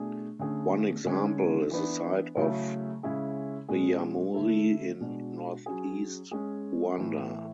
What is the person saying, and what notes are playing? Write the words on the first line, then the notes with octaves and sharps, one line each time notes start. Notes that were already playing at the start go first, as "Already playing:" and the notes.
One example is the site of Ryamuri in northeast Rwanda.
Already playing: B2 A3 D4 G#4
D3 A3 C#4 G#4
D3 G#3 C#4
E3 B3 D4
C#3 F#3 A3 E4 G#4
C#3 G#3 C#4 E4 G#4
B2 G#3 C#4 G#4
D3 A3 E4 A4
B2 G#3 D4 F#4
F#3 C#4 G#4
G#3 C#4 G#4
A2 E3 A3